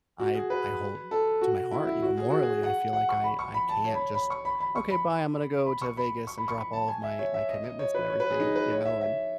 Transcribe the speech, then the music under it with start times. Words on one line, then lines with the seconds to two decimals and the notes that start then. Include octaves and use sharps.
I I hold to my heart, you know, morally, I feel like I I can't just, "Okay, bye, I'm gonna go to Vegas and drop all of my my commitments and everything," you know, and
0.20 F#4
0.35 G#4
0.50 B4
1.11 A4
1.41 F#4
1.72 E4
1.87 E4
2.02 F#4
2.17 G#4
2.30 F#4
2.43 G#4
2.63 F#5
2.93 F#5
3.09 C#6
3.24 B5
3.39 C#6
3.54 B5
3.69 A5
3.85 C#5
3.94 B5
4.15 B5
4.30 C#6
4.45 B5
4.60 B5
4.76 C#6
4.91 B5
5.66 B5
5.82 C#6
5.97 B5
6.27 C#6
6.38 B5
6.48 C#6
6.58 B5
6.73 A5
6.89 G#5
7.04 E5
7.19 C#5
7.34 E5
7.49 D#5
7.64 D#5
7.79 C#5
7.95 B4
8.10 C#5
8.20 B4
8.30 G#4
8.40 D#4
8.55 B4
8.71 C#5
8.85 E5
9.01 E5